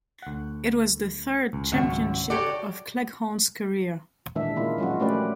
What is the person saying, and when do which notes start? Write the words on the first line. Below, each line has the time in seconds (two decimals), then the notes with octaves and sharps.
It was the third championship of Cleghorn's career.
0.22 D2 F#5
1.53 C#2
1.72 G#1 C#2 F#2 C#5
2.30 F#4 G4 A4 C#5 D5
4.35 A#2 D#3 E3 G#3 D4 E5
4.56 C#3 A#3 E4 F4
4.78 F3 F#3 G#3 C#4 F4 F#4
5.00 A3 A#3 C#4 G4 B4 D5